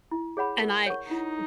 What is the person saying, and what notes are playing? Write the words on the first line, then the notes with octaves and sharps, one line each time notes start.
And I n
E4
G#4 C#5 F#5 B5
A#4
C#5 F#5 C#6
D#4 E4